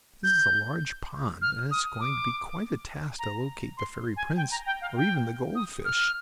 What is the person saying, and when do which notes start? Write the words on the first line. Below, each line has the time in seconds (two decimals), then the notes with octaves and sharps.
"This is a large pond, and it's going to be quite a task to locate the fairy prince, or even the gold fish."
0.24 G6
1.42 F6
1.71 D#6
2.00 D6
3.19 A#5
3.77 C6
4.17 G#5
4.37 G5
4.51 A#5
4.66 G5
4.81 F5
4.96 G5
5.55 D#6
5.85 F6